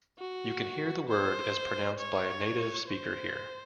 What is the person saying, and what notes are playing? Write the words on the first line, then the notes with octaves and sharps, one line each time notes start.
You can hear the word as pronounced by a native speaker here.
F#4
C5
C#5
C5